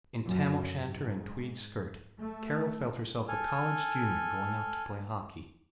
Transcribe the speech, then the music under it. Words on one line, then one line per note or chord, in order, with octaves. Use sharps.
In tam o'shanter and tweed skirt Carol felt herself a college junior going out to play hockey.
F#2
G#2
A3
A4 G#5 F6